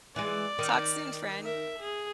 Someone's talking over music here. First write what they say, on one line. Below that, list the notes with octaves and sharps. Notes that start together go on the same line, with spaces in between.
Talk soon, friend.
E3 G#3 D5
D#3
A#4 E5
G#4